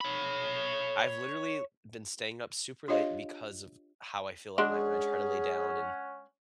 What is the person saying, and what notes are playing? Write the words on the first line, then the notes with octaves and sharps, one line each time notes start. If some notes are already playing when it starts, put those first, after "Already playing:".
I've literally been staying up super late because of how I feel at night when I try to lay down, and
C#5 B5
D4 F4 G4 C#5 D#5 F5
G#3 C#4 D4 F#4 G#4 C#5 F#5